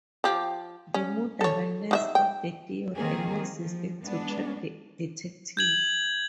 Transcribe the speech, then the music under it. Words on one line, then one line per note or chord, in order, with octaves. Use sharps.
The murderer learns of the theory and uses it to trap the detective.
F3 G4
C#4
A4 C#5
D#3 F#4 E5
G5
D#3 A#3 C4 G#4
F3
G#3 B3 D4
G6 G#6 F#7